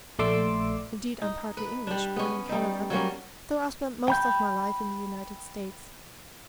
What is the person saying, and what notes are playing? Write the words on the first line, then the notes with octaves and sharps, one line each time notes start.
Indeed, I'm partly English, born in Canada, though I've spent most of my life in the United States.
A#1 A3 D5 C6 D6 E6
D#4
B4
G3 D4
B3 C#4
G3 D#4
F#3 G3 A#3 C#4
G5 B5 G6